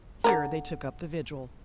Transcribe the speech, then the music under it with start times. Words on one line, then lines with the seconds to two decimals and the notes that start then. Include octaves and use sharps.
Here they took up the vigil.
0.24 D3 G#3 A#4